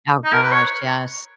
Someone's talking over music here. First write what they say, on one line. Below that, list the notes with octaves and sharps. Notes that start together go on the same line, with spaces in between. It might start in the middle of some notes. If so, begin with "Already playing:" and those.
Oh, gosh, yes.
D#4
A#4
B4
C#5